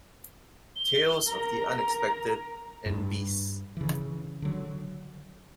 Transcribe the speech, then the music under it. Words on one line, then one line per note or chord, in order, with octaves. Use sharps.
"Tales of the Unexpected" and "Beasts".
G7
A#4 A#5
A#4
G2
C#3 E3
D3 F#3